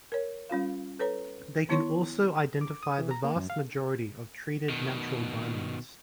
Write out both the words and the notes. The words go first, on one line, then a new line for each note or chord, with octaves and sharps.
They can also identify the vast majority of treated natural diamonds.
A#4 C#5
G3 C#4 F4 F5
A4 B4 C#5 A#5
D#3 B3 E4 C#5 C6 C#6
D6
D#6
E3
A#5
A#3
F#2
F5
B2 D#3